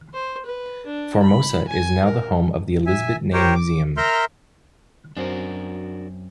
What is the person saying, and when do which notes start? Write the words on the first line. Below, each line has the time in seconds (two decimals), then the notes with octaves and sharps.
Formosa is now the home of the Elisabet Ney Museum.
0.14 C5
0.46 B4
0.86 D4
1.22 B5
1.68 G#5
2.05 A#4
2.86 E5 G#5
3.33 G4 A#4 C5 C#5 G5
3.55 D6
3.97 A#4 E5 A#5 C6 F6 G6
5.17 F#2 C4 D4 F#4 A#4